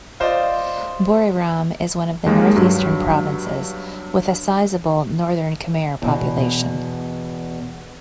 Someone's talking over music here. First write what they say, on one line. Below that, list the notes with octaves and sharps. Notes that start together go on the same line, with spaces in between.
Buriram is one of the northeastern provinces with a sizable Northern Khmer population.
F4 C5 D5 D#5
D#2 G#3 A#3
G2 F#3
E2 B2